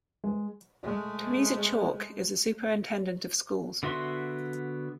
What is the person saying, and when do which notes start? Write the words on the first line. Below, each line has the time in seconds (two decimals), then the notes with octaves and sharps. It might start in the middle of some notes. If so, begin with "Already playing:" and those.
Teresa Chaulk is the Superintendent of Schools.
0.24 G#3
0.83 G#3 A3
3.83 D3 B3 F#4 E5 C6